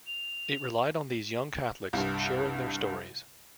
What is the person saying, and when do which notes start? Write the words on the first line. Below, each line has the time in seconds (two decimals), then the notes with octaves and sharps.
It relied on these young Catholics "sharing their stories".
0.07 F7
1.93 C2 G2